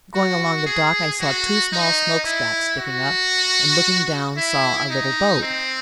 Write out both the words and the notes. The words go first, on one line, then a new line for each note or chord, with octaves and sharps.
Going along the dock I saw two small smokestacks sticking up, and looking down saw a little boat.
F#4
G#4
F#4
D#4
E4
F#4
E4
D#4
C4